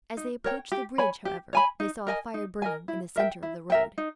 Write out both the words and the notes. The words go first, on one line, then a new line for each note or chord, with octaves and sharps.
As they approached the bridge, however, they saw a fire burning in the centre of the road.
D#4
A#4 C#5 G5
G4
C#5 G#5 B5
G4
C#5 G#5 B5
D#4
A#4 D#5 G#5
D#4
A#4 D#5 G#5
E4
A#4 E5 G5
E4
A#4 E5 G5
D#4